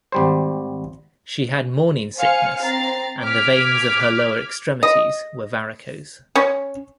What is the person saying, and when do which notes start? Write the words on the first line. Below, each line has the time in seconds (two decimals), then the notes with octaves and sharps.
She had morning sickness, and the veins of her lower extremities were varicose.
0.12 G#1 G3 C5
2.17 C5 F5 G#5 F6 C#7
2.60 C4 A#5 A6 C7
3.22 D6 F6 G#6 B6
4.83 D#5
6.36 C#4